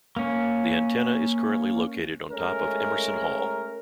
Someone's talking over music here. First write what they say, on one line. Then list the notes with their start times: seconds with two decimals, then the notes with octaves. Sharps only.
The antenna is currently located on top of Emerson Hall.
0.16 A#3 C#4
2.30 G#3 A3 C#4 A#4